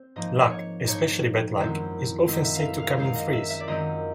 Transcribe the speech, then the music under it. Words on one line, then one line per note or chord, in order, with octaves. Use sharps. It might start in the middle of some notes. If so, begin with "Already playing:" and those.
Luck, especially bad luck, is often said to "come in threes".
Already playing: C4
G#2 F3 A#3 D#4 D#5
C#5
G#2 F3 A#3 D#4 C#5
F#2 D#3 G#3 C4 E4
F#2 D#3 G#3 C4 E4 D#5
E5
F5
E5
F5
F#2 D#3 G#3 C4 F4 F5
D#5
E5
E5
D5
F#2 D#3 G#3 C4 F4 D#5